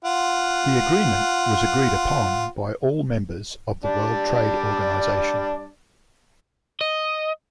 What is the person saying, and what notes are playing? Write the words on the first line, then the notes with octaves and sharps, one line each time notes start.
The agreement was agreed upon by all members of the World Trade Organization.
F4 F#5
G3 D4 D5
D#5